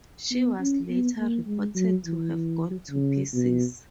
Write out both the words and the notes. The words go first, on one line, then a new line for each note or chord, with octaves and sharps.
She was later reported to have gone to pieces.
B3
C#4
B3
A#3
G#3
F#3
E3
C#3
B2